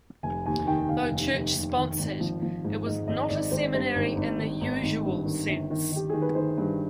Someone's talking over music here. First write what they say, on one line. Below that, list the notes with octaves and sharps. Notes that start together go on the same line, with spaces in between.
Though church-sponsored, it was not a seminary in the usual sense.
F1 G#5
D#2 G#5
D#3 G5
D#3 F5
F1
F1
F1
D#3
G#1
F3
F3
G#2
G#2 D#5
G#1 D#5
G#1 D5
G#1 C5
G2 C5
G#1
G#1
D#3
G#1
G#1
G2
D#3
G1
D#3
D#3 G4
D#3 G#4
B4
D#3 C5
G2